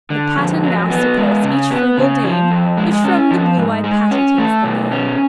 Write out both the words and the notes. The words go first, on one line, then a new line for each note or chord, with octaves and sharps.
The patten now supports each frugal dame, Which from the blue-eyed Patty takes the name.
D3
F2
F#3
B3
G#3
C#3
B3
C#3
F3
F2
G#3
C#4
F3
G#2
G#3
C#4
A3
B2
C#4